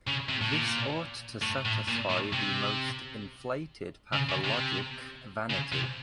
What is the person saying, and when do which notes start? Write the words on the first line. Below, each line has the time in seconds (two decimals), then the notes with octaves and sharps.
This ought to satisfy the most inflated pathologic vanity.
0.07 C#3
0.29 C3
0.41 A2
0.52 A#2
1.42 A2
1.65 A2
1.88 A#2
2.10 A2
2.33 C3
4.13 C#3
4.29 C#3
4.44 C3
5.50 C#3
5.72 C3